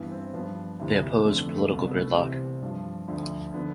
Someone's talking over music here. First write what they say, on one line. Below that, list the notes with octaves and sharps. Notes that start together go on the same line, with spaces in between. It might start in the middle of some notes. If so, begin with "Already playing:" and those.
They oppose political gridlock.
Already playing: G2 E3 B3
C4
G2 F3 B3
D2 C3 E3
F2 D3 F3 A3
B3
A3
A3
C2 B2
B3
A3
C2 C3 E3 C4
G2 F3
D2 D3 F3
D3 F3 B3